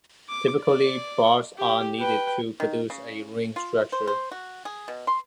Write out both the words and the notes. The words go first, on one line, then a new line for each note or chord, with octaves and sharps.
Typically, bars are needed to produce a ring structure.
D6
D5
G4
B4 G5
D#3
C#3
F4
C5
C5
F#4
G#4
B2
C6